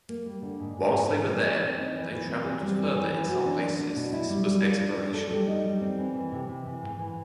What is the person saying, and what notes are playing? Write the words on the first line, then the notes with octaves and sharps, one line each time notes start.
Whilst they were there they travelled further in some places this was exploration.
A#3
G3
D3
G#2
G#2
G#2
E3
G3
E3
C4
D#4
E3
E3
C4
C4
G3
E3
E3
E3
F#4
D4
D4
D4
B2
E4
G3
G3
F4
D4
D4
A4
G3
D#4
G3
C4
E3
E3
C3
C3
E3
G#2
E3